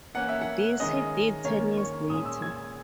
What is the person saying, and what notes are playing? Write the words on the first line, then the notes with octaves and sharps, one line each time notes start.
This he did ten years later.
E3 A#3 C#4 F#5
E5
F#5
D#3 G#3 C#4 D#5
D#3 A#3 C#4 C#5
C#6
A#2 G#3 C#4 D#6
E6
G#6